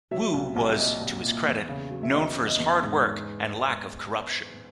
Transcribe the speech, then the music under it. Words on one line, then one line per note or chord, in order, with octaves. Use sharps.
Wu was, to his credit, known for his hard work and lack of corruption.
F#3 E5
C2
C2
A#2 D#5
C2
A#2
E2
C#3
F#3
E5
E2 D#5
C#3
D#5
E2
G#2